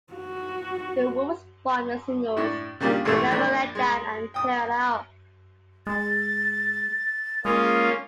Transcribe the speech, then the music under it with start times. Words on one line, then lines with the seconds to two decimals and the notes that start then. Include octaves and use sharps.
"The Wolf" spawned the singles "Never Let Down" and "Tear It Up".
0.13 F#4
2.37 A2 D4 C#6
2.80 C#3 G3 A#3 D4 F4 G4
3.05 A1 C3 A3 E6
3.31 A#1 D4 B5
3.75 G#3
4.34 G5 D#6
5.87 G#3 A6
7.45 G#3 A#3 C#4 F4 D#6